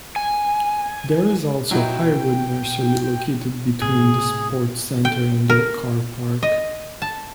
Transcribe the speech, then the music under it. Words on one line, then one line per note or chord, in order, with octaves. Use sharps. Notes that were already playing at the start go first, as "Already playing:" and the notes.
There is also Highwood Nursery located between the sports centre and the car park.
G#5
B2 F#3 D#4 E4 G5
A2 C3 B3 G#4
G5
A#4
D#5
A5